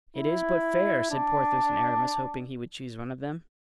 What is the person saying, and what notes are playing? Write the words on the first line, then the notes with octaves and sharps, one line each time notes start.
"It is but fair," said Porthos and Aramis, hoping he would choose one of them.
E4
D4